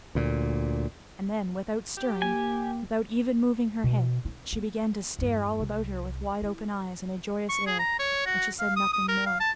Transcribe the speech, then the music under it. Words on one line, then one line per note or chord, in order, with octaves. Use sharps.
And then, without stirring, without even moving her head, she began to stare all about her with wide-open eyes and a joyous air, and she said nothing more.
D2 A#2
G4
A#3 G#5
B2
C#4
A#3
E2 G2
C2
E4
C#6
G#4
A#5
C#5
F#4
F5
D#6
D#6
A#4
F5
A5